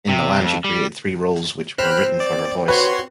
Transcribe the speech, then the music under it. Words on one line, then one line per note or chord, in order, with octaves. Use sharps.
In Milan she created three roles which were written for her voice.
C3
F2
G3
C4 C5 B5 F6 F#6
D5
F#4 B4 C#5 C6